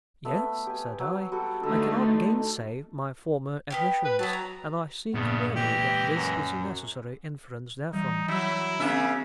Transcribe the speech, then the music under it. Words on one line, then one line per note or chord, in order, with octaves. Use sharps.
'Yes,' said I; 'I cannot gainsay my former admissions, and I see clearly that this is a necessary inference therefrom.'
A3 B3 E5
G4 G#5
F#3 D6
G3 F#4 A4
D3 A3 D#4 A4
B3 C#4 G4
B4
F#3 B3 A5
A#5
A#1 G2 C#3 B3
E3 G#3 G4
F#2
E3 G3 D#4
F#3 E4
C#3 A#3 C4 D4 E5